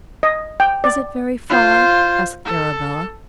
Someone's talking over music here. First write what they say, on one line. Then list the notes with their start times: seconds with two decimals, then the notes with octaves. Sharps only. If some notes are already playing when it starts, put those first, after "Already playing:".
"Is it very far?" asked Arabella.
0.23 D#5
0.60 G5
0.84 D5
1.50 F4 C5
2.45 A4